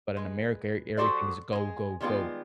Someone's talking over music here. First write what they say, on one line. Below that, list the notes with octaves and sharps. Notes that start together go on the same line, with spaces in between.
But in America, er everything is a go, go, go.
G#3 B4
F#3 F#4 G4 A4 C5 D5
G#3 G#4
D#3 G3 G#3 B3 F4